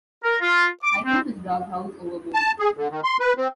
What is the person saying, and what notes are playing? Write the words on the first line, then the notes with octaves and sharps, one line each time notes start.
I threw his doghouse overboard.
A#4
F4
D6
C4
A5
G#4
D3
D#3
C6
B4
C4